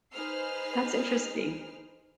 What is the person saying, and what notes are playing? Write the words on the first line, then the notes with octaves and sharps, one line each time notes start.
that's interesting.
D#4 G#4 B4 C5 F6 C7